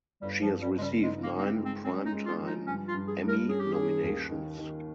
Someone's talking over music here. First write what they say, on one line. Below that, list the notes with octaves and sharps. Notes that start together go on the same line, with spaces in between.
She has received nine Primetime Emmy nominations.
G1 G3
F3
G1
G3
C#3 G#3
G3
G#3 D#4
A#3
D#4
A#3
C4
G#3
C4
C4 C#4
D#4
G#3
F4
F3
D#4
G2 C#4
F4
G2
G#4
G2
A#4
C#4 G#4
G4
C#4 G#4
D#2
D#3
D#3